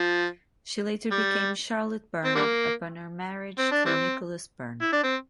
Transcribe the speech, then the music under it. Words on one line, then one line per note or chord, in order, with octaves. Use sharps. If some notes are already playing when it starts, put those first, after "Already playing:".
She later became Charlotte Byrne upon her marriage to Nicholas Byrne.
Already playing: F3
G3
C4
D3 G3 A#3
C4
D4
E3 G3 C4
E4
D4
C4